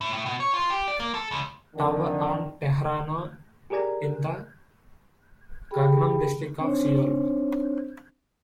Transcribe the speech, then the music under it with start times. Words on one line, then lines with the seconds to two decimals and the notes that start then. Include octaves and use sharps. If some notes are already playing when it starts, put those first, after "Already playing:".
Tower on Teheranno in the Gangnam district of Seoul.
0.01 A2
0.13 A2
0.26 B2
0.40 C#5
0.54 F4
0.70 G4
0.88 D5
1.00 A#3
1.15 A4
1.31 C#2
1.76 F2 D3 D#3
3.70 G4 G#4 A#4 D5 G#5 A#5
5.71 G4 G#4 G5 B5
6.58 C4 D4 D#4 C5 C#5